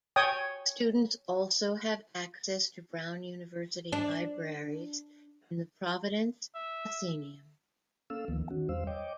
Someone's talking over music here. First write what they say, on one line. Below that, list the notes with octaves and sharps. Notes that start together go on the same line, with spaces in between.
Students also have access to Brown University libraries and the Providence Athenaeum.
C#5 G5 G#5 D#6
D4
E5
A#3 C#4 A4 F5 E6
D2 D#3 F3 A#3 B3
D#3 C#4 F#4
E2 G3 C5 F5 E6
C#5 D#5 G5 D6